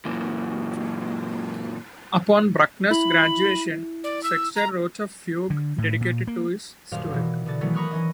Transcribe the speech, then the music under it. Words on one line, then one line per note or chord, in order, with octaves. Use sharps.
Upon Bruckner's graduation, Sechter wrote a fugue dedicated to his student.
F#2 A#2 E3
E4 B5
D5
E6
A#5
D3
A2
A#2
A#3
D#1 F#2 C5 F5 F6
B2 E3
B2 D3 A6
D#3 E3 F#3 A3 B3 C#4
A#5 B5 C#6 D#6 F6 F#6
E3 C#4 D#4 D#5